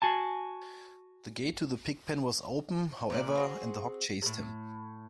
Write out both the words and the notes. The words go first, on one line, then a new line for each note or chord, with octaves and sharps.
The gate to the pigpen was open, however, and the hog chased him.
F#4 G#5 A5
A#2 E3 D5
C4 F#4 G#4
A2 C3